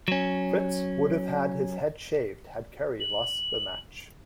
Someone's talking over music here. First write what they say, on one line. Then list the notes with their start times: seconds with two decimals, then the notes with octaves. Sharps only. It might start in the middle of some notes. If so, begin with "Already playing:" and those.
Fritz would have had his head shaved had Kerry lost the match.
0.08 F#3 C#4
3.00 F#7